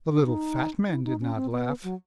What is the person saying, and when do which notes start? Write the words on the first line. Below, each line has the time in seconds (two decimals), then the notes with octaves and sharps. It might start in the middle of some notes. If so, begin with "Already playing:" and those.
The little fat man did not laugh.
0.10 D4
0.25 D#4
0.89 E4
1.04 D#4
1.21 C#4
1.36 C4
1.52 B3
1.83 F#3